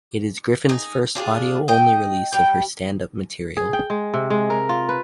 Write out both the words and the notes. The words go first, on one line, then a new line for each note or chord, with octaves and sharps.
It is Griffin's first audio-only release of her stand-up material.
D#4 G#4
D4 F4 G4 G#4
D#5 G5
G3 G5
G#4
G5
G#3
C3
G#3
A#4
F4
B4